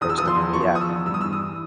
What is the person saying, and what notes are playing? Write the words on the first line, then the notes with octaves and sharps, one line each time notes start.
very simply yeah.
E2 D#6
E6
F3 D#6
C6
E2
F3 C#6
F3 D#6
E6
E2
G2 E6
D#6
E3 E6
D#6